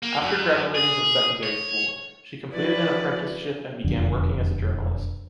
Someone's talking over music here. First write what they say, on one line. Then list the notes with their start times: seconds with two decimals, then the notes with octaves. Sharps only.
After graduating from secondary school, she completed an apprenticeship and began working as a journalist.
0.03 A#3
0.21 F#2
0.75 G#4
1.43 C#5
2.52 F3 E4 F#4 B4 D5
3.84 E1 F2 D3